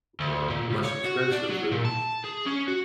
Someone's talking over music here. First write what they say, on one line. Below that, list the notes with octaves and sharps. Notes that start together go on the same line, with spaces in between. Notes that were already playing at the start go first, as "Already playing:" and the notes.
uh, less expensive than
D2
A#2
C#2
C#5
F#4
D4
F#3
A#2
A5
G#4
C#4
F#4